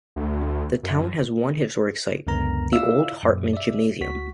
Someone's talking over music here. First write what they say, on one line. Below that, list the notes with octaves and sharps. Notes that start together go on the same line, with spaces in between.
The town has one historic site, the old Hartman Gymnasium.
D2
F#2
C#2 F#2 D3 B3 A#4 A#5
E4 F4 D5 E5 F5 E6
F#2 A#2
D5 E5
D2 F#4 B6